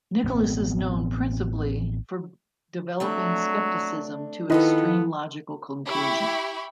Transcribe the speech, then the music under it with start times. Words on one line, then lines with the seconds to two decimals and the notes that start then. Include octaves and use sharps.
Nicholas is known principally for developing skepticism to extreme logical conclusions.
0.24 A1 B3 C4
3.00 F#3 A3 C4 D4
4.50 D#3 F3 B3 E4 F4 A4 B4 D#5
5.85 E4 G4 B5 C#6